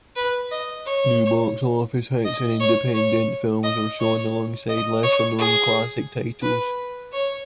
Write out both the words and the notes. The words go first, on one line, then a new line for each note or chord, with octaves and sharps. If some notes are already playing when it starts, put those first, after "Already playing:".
New box-office hits and independent films are shown alongside lesser-known classic titles.
B4
D#5
C#5
D#5
C#5
C#5
D#5
C#5
D#5
C#5
G#4
B4
C#5